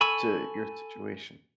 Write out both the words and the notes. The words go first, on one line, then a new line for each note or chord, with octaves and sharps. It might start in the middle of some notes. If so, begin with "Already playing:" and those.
to your situation.
A4 G#5 B5 C#6 E6